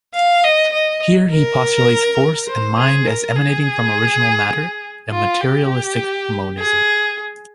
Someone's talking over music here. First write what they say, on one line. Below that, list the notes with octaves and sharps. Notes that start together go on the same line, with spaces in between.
Here he postulates force and mind as emanating from original matter, a materialistic monism.
F5
D#5
D#5
A#4
C5
G#4
A#4
G#4
F4
G4
G#4